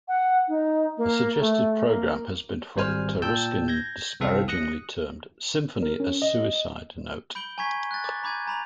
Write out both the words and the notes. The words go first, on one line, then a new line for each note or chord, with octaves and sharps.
A suggested program has been what Taruskin disparagingly termed symphony as suicide note.
F#5
D#4
A#3
A3
A#3
G#1 G3 C5 G#5 F6
A#2 G5 A5 E6 G6
G6 G#6 A#6
C2 E3 C4 A4 F5
D#6 F#6 A#6 C#7
A#4
C#4
D#5
B5 G6 D7 G7
G#5 A#5 C#6 G#6 B6
F#6 A6
D6 A6
A#5 B5 D6 G6 G#6 D#7
G#5 A#5 B5 F7